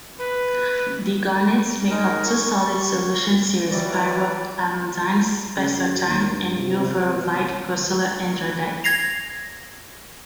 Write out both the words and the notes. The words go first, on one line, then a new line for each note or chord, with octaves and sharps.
The garnets make up two solid solution series: pyrope-almandine-spessartine and uvarovite-grossular-andradite.
B4
G#3 D#4 A#4
C#6
E3 F#3 G3 D5
C#3
F#2
F#3
D#2
G2
C3
C3
F3
B2
C2
G#6 A#6 C7 F7